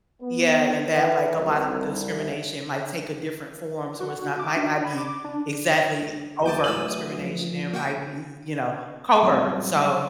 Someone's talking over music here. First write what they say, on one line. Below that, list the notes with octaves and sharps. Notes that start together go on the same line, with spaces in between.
Yeah, and that, like, a lot of discrimination might take a different form, so, it's not might not be exactly overt discrimination and it might be, eh, you know, covert, so,
B3
E3
C2
F#4
D6
D4
B5
D6
D4
F#3 A#3 A5 D6 D#6 G6
A2 E3 D5 G#5 E6 F#7
F3
A#3 F#4 G5
F#3 G3 C4 D#4 F4 F#4